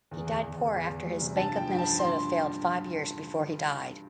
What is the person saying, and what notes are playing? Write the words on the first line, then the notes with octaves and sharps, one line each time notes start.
He died poor after his Bank of Minnesota failed five years before he died.
E2
E2
E2
E2
E2
E2
G3
C3
G2 A5
F3 G5
G2
A5
F3
G2 C6